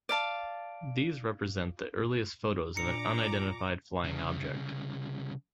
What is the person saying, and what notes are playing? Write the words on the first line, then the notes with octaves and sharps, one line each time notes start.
These represent the earliest photos of an unidentified flying object.
D5 F5 A5
A#2 D4 A#5 D6 C#7
C2 C#3